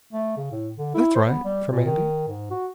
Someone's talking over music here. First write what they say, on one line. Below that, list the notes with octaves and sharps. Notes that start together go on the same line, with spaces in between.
"That's right," from Andy.
A3
C#3
A2
D3
E4
C5
B3
G3
A#2
D#3
G#2
F#4